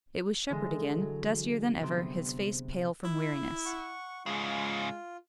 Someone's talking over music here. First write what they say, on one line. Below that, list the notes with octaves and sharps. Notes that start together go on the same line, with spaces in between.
It was Shepard again, dustier than ever, his face pale from weariness.
D3 E3 G#3
F#3
C3 B3 C4
E4
F#5 C#6
G#2 C#3 G#3 F4